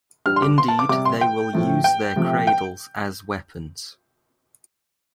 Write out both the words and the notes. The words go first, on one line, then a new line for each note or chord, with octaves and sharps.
Indeed they will use their cradles as weapons.
G2 G3 F6
C6
D6
C6
A5
D6
C3 G3 D6
C6
G5
A2 F3 A3
G5
C3 F3 A3
G5